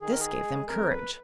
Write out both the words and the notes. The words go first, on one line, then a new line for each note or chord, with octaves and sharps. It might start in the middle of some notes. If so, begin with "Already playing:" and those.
This gave them courage.
D#3 G#4
A#4
G#4
G#3
F2 A#4
B4